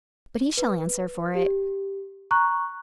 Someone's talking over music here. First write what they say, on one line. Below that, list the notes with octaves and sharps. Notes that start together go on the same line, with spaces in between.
'But he shall answer for it.
B4
G4
A#5 C#6 F#6